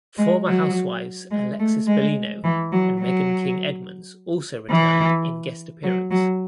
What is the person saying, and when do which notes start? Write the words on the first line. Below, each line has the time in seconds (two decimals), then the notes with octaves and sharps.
Former housewives Alexis Bellino and Meghan King Edmonds also returned in guest appearance.
0.18 G#3
0.46 F#3
1.31 G#3
1.59 A3
1.87 G#3
2.44 E3
2.72 F#3
3.00 F#3
4.70 E3
5.83 F#3
6.11 F#3